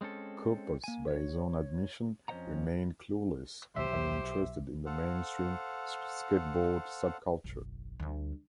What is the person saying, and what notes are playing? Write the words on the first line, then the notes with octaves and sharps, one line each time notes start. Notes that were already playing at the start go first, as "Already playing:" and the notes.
Kaupas by his own admission remained clueless and uninterested in the mainstream skateboard subculture.
G#3 C4 C#4 A4
A#3 G#5
C#5
F2 C#4 C5 D#5 F#5 A#5
B1 G4 C5 E5
A4 C5 F5 F#5
F#1 B1
D2 G3